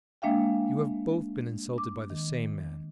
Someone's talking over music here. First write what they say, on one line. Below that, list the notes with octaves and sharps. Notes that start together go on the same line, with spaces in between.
You have both been insulted by the same man.
G#3 A#3 D4 E5 F5 G5
D6
D#3